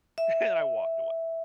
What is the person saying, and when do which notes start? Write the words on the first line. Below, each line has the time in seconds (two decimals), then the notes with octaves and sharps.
And I walked
0.18 E5